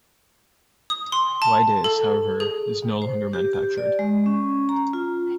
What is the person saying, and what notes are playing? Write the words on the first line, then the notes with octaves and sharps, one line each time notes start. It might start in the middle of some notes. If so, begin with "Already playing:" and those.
Wydase, however, is no longer manufactured.
D#6
C6
A5
A4
G#4
C5
G4
G4
D5
G#3
C#4
A#5
F4